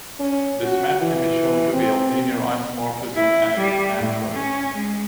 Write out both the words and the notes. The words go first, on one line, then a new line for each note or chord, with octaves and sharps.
This map can be shown to be a linear isomorphism, and it is natural.
C#4
F#4
E3
C4
E4
G3
A2
C#4
G#3